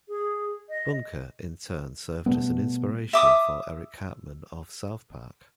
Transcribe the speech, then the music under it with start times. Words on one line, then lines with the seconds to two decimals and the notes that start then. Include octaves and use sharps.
Bunker, in turn, served as an inspiration for Eric Cartman of "South Park".
0.08 G#4
0.69 D#5
2.26 B2 G3 A3 B3
3.13 E5 D6 D#6